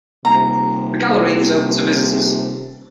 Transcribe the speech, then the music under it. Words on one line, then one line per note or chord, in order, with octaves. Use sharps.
The gallery is open to visitors.
D#1 C3 A#5